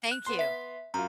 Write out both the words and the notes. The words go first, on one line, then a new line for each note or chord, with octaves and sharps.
thank you.
F#6
B3 C6
E5 B6
F#2 F4 A#5